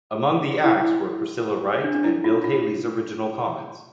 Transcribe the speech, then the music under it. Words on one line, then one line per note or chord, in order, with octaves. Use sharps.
Among the acts were Priscilla Wright, and Bill Haley's Original Comets.
E4
D4
D4
E4
F4
F4